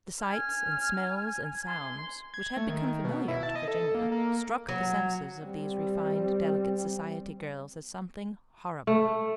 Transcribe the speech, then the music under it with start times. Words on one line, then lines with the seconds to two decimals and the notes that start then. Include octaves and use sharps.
The sights and smells and sounds which had become familiar to Virginia struck the senses of these refined, delicate society girls as something horrible.
0.22 G#5 F6
1.68 C6
2.34 G#6
2.57 A3
2.69 D#3
3.05 B2
3.28 E4
3.43 A5
3.55 D#5
3.68 A4
3.95 A#3
4.12 A#3
4.69 F#3
5.41 G3 C4
8.87 A3